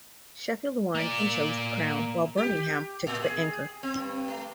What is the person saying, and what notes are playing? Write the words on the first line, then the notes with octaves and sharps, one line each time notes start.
Sheffield won and chose the crown, while Birmingham took the anchor.
A#3 D5
G4
A2
G#4
C4
G2
A3